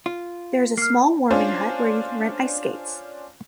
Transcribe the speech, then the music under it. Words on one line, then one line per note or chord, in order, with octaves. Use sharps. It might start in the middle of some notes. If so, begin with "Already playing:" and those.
There is a small warming hut where you can rent ice skates.
F4
A#3 F6 C7
C#4 D4 F4 C5